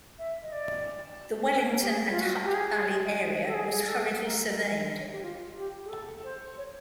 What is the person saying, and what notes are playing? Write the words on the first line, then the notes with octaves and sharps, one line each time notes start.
The Wellington and Hutt Valley area was hurriedly surveyed.
E5
D#5
D5
B4
A#4
G4
G#4
F4
F#4
G4
G#4
A4
G#4
G#4
A4
A#4
A#4
C#5
G4
F4
G4
G#4
A4
C5
C#5